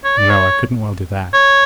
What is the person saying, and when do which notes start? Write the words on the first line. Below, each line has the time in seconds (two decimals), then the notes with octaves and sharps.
No, I couldn't well do that.
0.04 C#5
0.17 D5
0.29 C#5
1.33 C#5